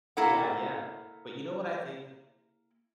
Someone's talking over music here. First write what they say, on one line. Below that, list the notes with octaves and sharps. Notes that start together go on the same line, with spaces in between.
Yeah, yeah. But you know what I think?
A#3 E4 A4 F#5